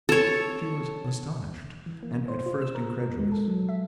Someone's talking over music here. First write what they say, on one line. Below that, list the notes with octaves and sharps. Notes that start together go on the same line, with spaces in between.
She was astonished, and at first incredulous.
A4 C#5
E3
A#3
C5
F4
E6
A#4
G#3
A4
F#3
E5